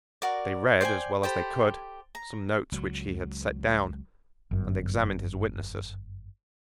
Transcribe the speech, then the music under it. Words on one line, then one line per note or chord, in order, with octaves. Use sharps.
They read as well as they could some notes which he had set down, and examined his witnesses.
F#4 A#4 D5
C5 D5 G5 G#5
G4 A4 C5 B5
A#5
C#2 F#3
G1 F#2